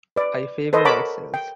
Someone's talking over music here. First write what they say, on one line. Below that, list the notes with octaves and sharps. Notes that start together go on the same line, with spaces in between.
I favor white sails.
B4 D5
A4 B4 C5 D#5
A#4 C#5 F#5 A5 B5 D6
G5